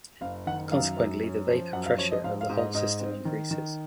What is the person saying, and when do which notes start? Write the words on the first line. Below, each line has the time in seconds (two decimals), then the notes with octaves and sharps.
Consequently, the vapor pressure of the whole system increases.
0.21 F#1 F5
0.47 D#3 F#5
0.72 F#2 F5
0.97 F#2
1.23 C#4
1.48 F3
1.73 F#2 F#5
1.86 F5
1.98 F3 C#5
2.11 D#5
2.24 G#2 F5
2.41 F5
2.49 G#2
2.58 D#5
2.74 G#2 D#5
3.00 C4
3.25 D#3
3.51 D#3